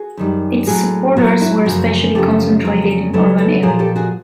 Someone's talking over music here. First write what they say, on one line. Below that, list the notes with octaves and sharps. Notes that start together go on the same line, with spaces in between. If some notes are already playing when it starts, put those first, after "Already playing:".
Its supporters were especially concentrated in urban areas.
Already playing: F#4 G#4
F#2 D#3 G3
A2 F#3 F#4 G#4
A2 F#3 E4 F#4
E4 F#4
F#2 C#3 F3 F#4 G#4
F#2 C#3 F3 G4 A4
F2 C#3 F#3
F2 C#3 F#3 A4 B4
A4 B4
A#2 F3 G#4 A#4
G4 A4
F#4 G#4